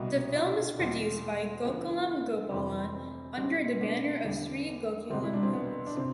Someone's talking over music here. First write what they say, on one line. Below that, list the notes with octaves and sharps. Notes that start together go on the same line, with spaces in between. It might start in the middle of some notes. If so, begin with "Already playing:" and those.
The film is produced by Gokulam Gopalan under the banner of Sree Gokulam Movies.
Already playing: C2 B2 G3
D4 F4
E2 B2 G3 C4
D2 D3 F3 B3
F1 F2 E3 C4
C4
B1 B2 G3 C4
B3 D4
E2 D3 G3
C2 B2 G3 C4
E4
D4
C4
B3
D4
C3 C4